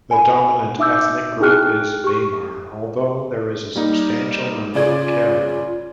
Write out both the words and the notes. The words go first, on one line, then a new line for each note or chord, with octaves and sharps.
The dominant ethnic group is Bamar, although there is a substantial number of Karen.
G#5 B5
D#4 E5 D6 E6 G6
D#4 E4 G#4 G5 F6 F#6
G4 C#6
G3 A#3 D#4
C#3 F4 D5 G#6